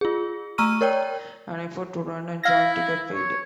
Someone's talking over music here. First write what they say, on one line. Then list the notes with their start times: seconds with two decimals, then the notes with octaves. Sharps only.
An effort to run a joint ticket failed.
0.01 F4 G#4
0.58 A3 A#5 C#6 E6 F6 D#7
0.81 A#4 C#5 D5 G5
2.43 E4 F5 A#6
3.14 C#5